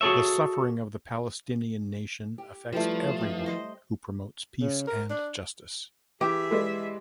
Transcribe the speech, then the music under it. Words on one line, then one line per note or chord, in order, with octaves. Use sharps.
The suffering of the Palestinian nation affects everyone, who promotes peace and justice.
F#4 G#4 A4 C#5 E5
G4
F3 G3 A3 D4 E4 B4
D#3 E3
C5 D#5
C#3
A#4
D4
E3 G4 G#4 E5
G#3 B4 D5